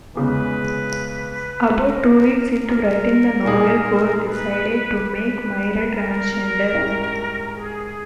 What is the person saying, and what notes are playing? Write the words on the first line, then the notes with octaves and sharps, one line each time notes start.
About two weeks into writing the novel Gore decided to make Myra transgender.
E2 C#3 G#3 B4
A#4
A#4
A#2 A#3 D#4 G#4
B4
B4
A#4
G#2 G3 C#4 E4
G#4